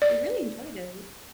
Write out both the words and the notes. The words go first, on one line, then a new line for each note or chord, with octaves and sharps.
I really enjoyed it.
D5